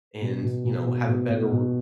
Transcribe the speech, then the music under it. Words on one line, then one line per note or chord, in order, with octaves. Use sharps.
and, you know, have a better
B2
B2
B2
B2
B2
B2
B2